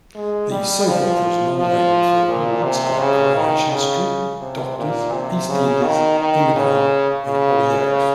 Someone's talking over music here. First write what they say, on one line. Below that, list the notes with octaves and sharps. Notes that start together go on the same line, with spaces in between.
The soap operas nominated for awards are "Coronation Street", "Doctors", "EastEnders", "Emmerdale" and "Hollyoaks".
G#3
G3
F3
F3
A#2
C3
C#3
D#3
C#3
C3
A#2
C3
C#3
D#3
D#3
C#3
C#3